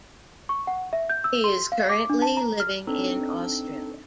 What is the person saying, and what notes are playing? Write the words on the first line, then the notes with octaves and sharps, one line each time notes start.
He is currently living in Australia.
C#6
F#5
E5
G6
E6
C6
F5
D6
D4
A5
A#5
F6
C4 D4 D#4 A4